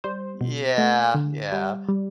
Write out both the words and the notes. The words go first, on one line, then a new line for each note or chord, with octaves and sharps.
Yeah. Yeah.
G3 C5
B2
A3
D3
G3
G3